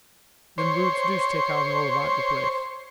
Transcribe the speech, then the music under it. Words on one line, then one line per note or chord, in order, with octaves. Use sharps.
Them roots do stick out all about the place.
C5 C#5